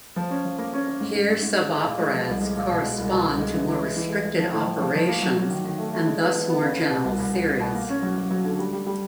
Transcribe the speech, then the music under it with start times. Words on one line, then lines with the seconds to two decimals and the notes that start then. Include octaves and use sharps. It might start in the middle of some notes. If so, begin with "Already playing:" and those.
Here suboperads correspond to more restricted operations and thus more general theories.
0.16 F3
0.30 C#4
0.45 F3
0.59 A#3
0.73 C#4
0.87 C#4
1.01 G#2
1.15 G#2
1.30 G#2
1.43 G#2
1.58 G#3
1.72 G#3
1.86 A#2
1.99 G#3
2.14 F3
2.28 C2
2.41 G#3
2.56 A#2
2.69 B2
2.83 G#3
2.98 C2
3.11 B2
3.25 C2
3.39 G#3
3.53 E3
3.68 E3
3.81 G#3
3.96 E3
4.10 G#3
4.24 G#3
4.38 F3
4.52 A2
4.67 F3
4.80 F3
4.95 F3
5.08 A#3
5.22 F#3
5.37 F#3
5.50 D#3
5.65 D#3
5.78 A3
5.93 A3
6.07 G#3
6.20 B3
6.34 E3
6.49 B3
6.62 C#3
6.77 B3
6.90 B2
7.04 C2
7.19 C2
7.33 C2
7.47 C2
7.60 B2
7.74 A#3
7.89 C#4
8.02 F#3
8.17 F#3
8.30 F#3
8.44 D3
8.59 G3
8.73 G3
8.87 G3